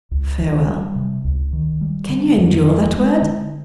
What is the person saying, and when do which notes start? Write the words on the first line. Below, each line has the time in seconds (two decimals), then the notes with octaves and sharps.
Farewell; can you endure that word?
0.11 C#2
0.39 D#3
0.68 G3
0.96 C3
1.24 C#2
1.53 D#3
1.81 G3
2.09 D3
2.38 F2
2.67 F3
2.94 G#3
3.22 D3